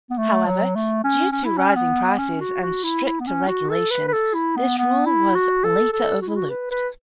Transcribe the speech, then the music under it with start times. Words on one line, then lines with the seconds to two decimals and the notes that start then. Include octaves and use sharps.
However, due to rising prices and stricter regulations this rule was later overlooked.
0.10 B3
0.18 A3
0.47 F#3
0.75 A3
1.04 C#4
1.32 C#4
1.45 E4
1.58 C#4
1.76 B3
2.19 C#4
2.41 F#4
2.62 F#4
2.84 E4
3.05 E4
3.20 B3
3.27 C#4
3.47 F#4
3.70 A4
3.91 B4
4.08 B4
4.13 A4
4.34 E4
4.56 B3
4.78 B3
5.06 E4
5.35 F#4
5.64 A4
5.93 A4
6.22 F#4
6.28 E4
6.36 F#4
6.50 B4
6.71 B4